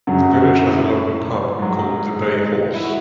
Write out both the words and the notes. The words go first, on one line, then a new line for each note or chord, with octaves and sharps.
The village has a local pub called the Bay Horse.
F#2 C#3 F#3 F#4
F#4
E4
G#2 F#3
D#4
E4
F#4